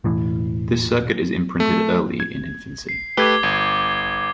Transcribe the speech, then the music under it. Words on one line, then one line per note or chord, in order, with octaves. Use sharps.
This circuit is imprinted early in infancy.
E1 A2 E3
A3
G#6
C7
A3 G4 B4 D6 G#6 G7
G1 G#6